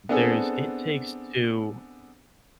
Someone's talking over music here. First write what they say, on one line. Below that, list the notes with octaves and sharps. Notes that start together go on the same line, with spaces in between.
There's, It Takes Two.
B3 C4 D4 G#4 A4